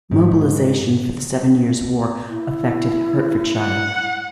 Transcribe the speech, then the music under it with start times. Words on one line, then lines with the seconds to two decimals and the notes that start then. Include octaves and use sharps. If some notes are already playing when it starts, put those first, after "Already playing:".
Mobilisation for the Seven Years' War affected Hertfordshire.
0.11 G#2
2.29 E4
3.57 F#5